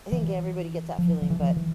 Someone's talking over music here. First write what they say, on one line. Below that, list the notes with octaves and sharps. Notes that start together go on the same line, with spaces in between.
I think everybody gets that feeling, but
E3
F3
F3
E3
F3
E3